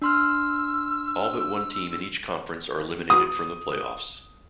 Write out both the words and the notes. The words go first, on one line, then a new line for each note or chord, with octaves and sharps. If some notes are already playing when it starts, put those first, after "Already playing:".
All but one team in each conference are eliminated from the playoffs.
D4 C6 E6 F6
D#6